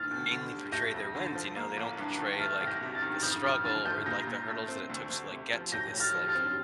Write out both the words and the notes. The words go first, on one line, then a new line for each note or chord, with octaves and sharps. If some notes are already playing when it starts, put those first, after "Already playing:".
mainly portray their wins, you know? They don't portray, like, the struggle or, like, the hurdles that it took to, like, get to this, like,
Already playing: D2 F6 A6
D2
D3
G3
A3 G6 A#6
F2
D3
F3
A#3
A1
G2
D#3
A3 F6 A6
C2
G6 A#6
C3
F6 A6
D#3
F2 D#6 G6
F2 F6 A6
D3 F6 A6
A3 D#6 G6
A#2 G6 A#6
A#2
A3
C4
D2
D2
C3
F3
A2 G6 A#6
A2
F6 A6
F3
F6 A6
C4